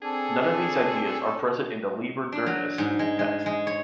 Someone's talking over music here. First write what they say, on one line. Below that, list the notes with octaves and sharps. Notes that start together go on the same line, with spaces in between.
None of these ideas are present in the "Liber Diurnus" text.
C4 D4 G#4 A4 G#5
D4
F#3
G#2
G#3
G#3
G#3
C#5